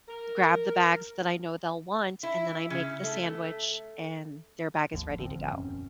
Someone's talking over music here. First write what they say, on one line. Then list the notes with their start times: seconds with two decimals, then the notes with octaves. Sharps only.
grab the bags that I know they'll want, and then I make the sandwich, and their bag is ready to go.
0.08 A#4
2.23 E4
2.70 C#3
3.03 A3
4.93 G#1 D#2 F3
5.19 A1 D3 F3 C4
5.52 E1 F#2 C#4